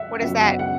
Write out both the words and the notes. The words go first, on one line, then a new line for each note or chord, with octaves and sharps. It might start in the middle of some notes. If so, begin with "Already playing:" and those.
what is that?
Already playing: F#2 F#3 E5 F#5
F#2 C#3 F#3 B3 E5
F#5
F#5